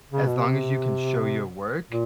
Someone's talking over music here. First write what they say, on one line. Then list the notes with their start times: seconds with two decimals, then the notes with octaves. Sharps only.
as long as you can show your work
0.12 C#3
0.26 B2
0.38 C3
1.90 A#2